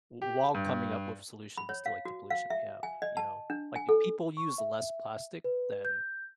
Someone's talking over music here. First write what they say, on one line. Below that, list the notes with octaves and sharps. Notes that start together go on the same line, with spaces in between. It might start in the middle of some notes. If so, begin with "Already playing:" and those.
W while coming up with solutions to, like, the pollution we have, you know? Like, if people use less plastic, then
G4
G2
B5
C#5
F5
F#4
F5
E5
G#5
D#5
A5
D4
G#5
A4
C#6
E5
B4
G6